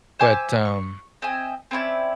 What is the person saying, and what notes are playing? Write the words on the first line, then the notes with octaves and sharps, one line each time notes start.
but, um
C5 E5 G#5 D6
C#6
C4 D#5 E5 G#5
C4 C#4 E4 D5